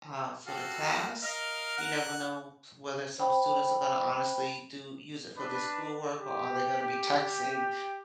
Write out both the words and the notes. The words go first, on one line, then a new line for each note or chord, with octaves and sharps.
uh, for the class. You never know whether some students are gonna honestly do use it for their schoolwork, or are they gonna be texting
F#4 G4 A4 F5
A#4 D#5 F5
F#5
C5 G5 B5
D4 B4
G4